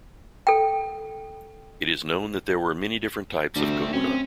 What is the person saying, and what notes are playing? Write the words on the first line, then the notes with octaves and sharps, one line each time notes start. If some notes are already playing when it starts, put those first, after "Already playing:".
It is known that there were many different types of kahuna.
A4 G5
D2 G3 A3 C4
F#2 C4 C#4